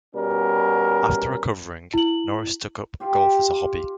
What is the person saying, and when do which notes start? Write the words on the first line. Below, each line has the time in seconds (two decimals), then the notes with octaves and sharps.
After recovering, Norris took up golf as a hobby.
0.15 B2 G3 C#4 A#4
1.94 E4 F#7
3.00 F4 G4